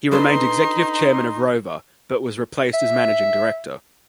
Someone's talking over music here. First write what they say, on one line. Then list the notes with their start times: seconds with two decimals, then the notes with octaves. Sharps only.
He remained executive chairman of Rover but was replaced as managing director.
0.12 D4 D#4 A4 B4 C6
2.74 E5